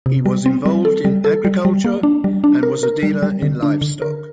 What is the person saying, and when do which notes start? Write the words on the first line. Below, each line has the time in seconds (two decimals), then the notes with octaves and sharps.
He was involved in agriculture and was a dealer in livestock.
0.06 C3
0.26 G3
0.46 C4
0.66 G3
0.85 A4
1.05 G3
1.24 A4
1.45 G3
1.65 G3
1.84 A#3
2.03 D4
2.24 G3
2.44 D4
2.63 A#4
2.83 A#4
3.03 G3
3.22 G3
3.42 D3
3.63 D4
3.81 D3
4.02 A#4